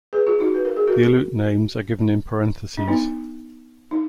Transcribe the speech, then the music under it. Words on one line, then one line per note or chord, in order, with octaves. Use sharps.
The Aleut names are given in parentheses.
G#4 B4
F4 G#4
D#4 F#4
B4
A#4
G#4
F#4 A#4
D4
B3 D#4
D#4